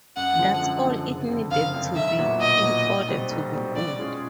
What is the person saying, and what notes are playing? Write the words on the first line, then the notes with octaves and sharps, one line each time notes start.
That’s all it needed to be in order to be good.
F#2 F#5
D3 F3 G#3
F#2
D3 F3 G#3
F#1
F2 D3
F#1 F5
F2 D3
B1 E5
A#2 F#3 B3
B1 D#5
A#2 F#3 B3
B1
B2 G3 C4
B1
B2 G3 C4
B2 D5
G#3 C#4 F4 G#4